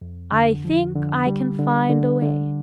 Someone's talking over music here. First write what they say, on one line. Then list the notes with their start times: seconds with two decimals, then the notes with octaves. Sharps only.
"I think I can find a way."
0.01 F2
0.32 D3
0.65 F3
0.95 D3
1.27 G3
1.59 D3
1.90 D3
2.23 D3